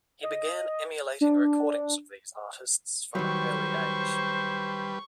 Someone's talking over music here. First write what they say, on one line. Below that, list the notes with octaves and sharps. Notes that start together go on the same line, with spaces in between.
He began emulating recordings of these artists from an early age.
D#5
D4
D#3 F#3 G3 B4 C5 C#6